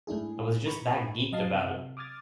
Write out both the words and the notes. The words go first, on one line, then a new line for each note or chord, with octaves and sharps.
I was just that geeked about it.
G#2 A3 D4 E4 G#4
A#5 B5 C#6
F#3 D#5 F5 A5 C7
C3
D6 D#6 F6 G#6 A6